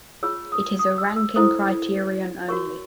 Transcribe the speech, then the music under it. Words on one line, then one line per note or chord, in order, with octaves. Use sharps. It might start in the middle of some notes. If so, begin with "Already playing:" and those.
It is a ranking criterion only.
F4 G#4 C#5 E6
D#6
D#6
E6
E6
E4 A4 C5 D#6
F#4 A#4 C#5 C#6